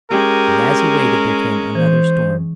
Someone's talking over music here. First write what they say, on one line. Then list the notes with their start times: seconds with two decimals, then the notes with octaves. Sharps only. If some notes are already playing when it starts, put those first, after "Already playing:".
And as he waited, there came another storm.
0.10 G#3 C#4 G4 A#4
1.75 E3 C5